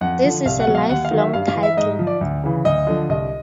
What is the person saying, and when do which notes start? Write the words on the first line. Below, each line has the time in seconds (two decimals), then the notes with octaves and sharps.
This is a lifelong title.
0.01 F2 F#5
0.24 D3 F3
0.46 C2 F5
0.60 F#5
0.67 B2 F#3
0.75 F5
0.89 D#2 F#5
1.05 F5
1.11 D#3 F#3
1.18 E5
1.34 G2 F5
1.48 F5
1.55 E3
1.63 E5
1.77 G#2 D#5
1.99 F3
2.07 D5
2.21 D2
2.44 C#3 E3
2.65 D2 D#5
2.87 D3 F3
3.09 C2 D#5